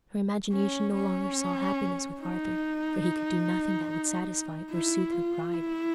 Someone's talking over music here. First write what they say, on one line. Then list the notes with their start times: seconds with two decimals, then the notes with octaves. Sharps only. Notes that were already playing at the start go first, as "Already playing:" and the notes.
Her imagination no longer saw happiness with Arthur, for he could do nothing that would satisfy or soothe her pride.
0.52 C#4
0.95 C#4
2.20 D#4
4.71 E4
5.12 F4
5.53 E4